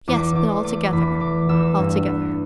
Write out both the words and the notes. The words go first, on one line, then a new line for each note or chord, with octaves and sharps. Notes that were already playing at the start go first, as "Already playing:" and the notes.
"Yes, but altogether; altogether."
E2 D6
E2 D6
A3 D6
E2 B5
E3 D6
E2 E6
G2
B3